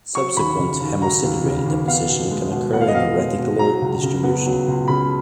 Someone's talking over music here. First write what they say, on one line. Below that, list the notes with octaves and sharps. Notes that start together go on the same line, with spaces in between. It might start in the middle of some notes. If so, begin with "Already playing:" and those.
Subsequent hemosiderin deposition can occur in a reticular distribution.
F#3 C#6
D#2 B5
C#3
D#2
F#3 A#5
D#2
C#3
D#2
B3 F5
B2
G#3
B2
B3 F#5
F5
D#5
B2 F5
G#3
B2
F#3 A#5
C#2
C#3
B3
F#3
C#2
C#3 B5